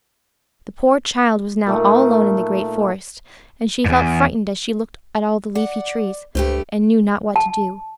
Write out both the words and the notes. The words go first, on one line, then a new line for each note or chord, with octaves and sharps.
The poor child was now all alone in the great forest, and she felt frightened as she looked at all the leafy trees, and knew not what to do.
A#2 A3 D#4
E2 G#2
D5 F#5
C#2 G2 A3 G4 C5
A5